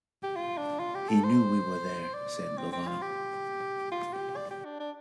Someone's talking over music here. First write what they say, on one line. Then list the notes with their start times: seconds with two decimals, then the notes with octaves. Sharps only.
"He knew we were there," said Lovano.
0.23 G4
0.36 F4
0.58 D4
0.79 F4
0.95 G4
1.09 A4
1.24 C5
2.14 D5
2.58 C4
2.72 C4
2.87 F4
3.02 G4
3.92 F4
4.13 G4
4.36 D5
4.51 G4
4.65 D4
4.80 D4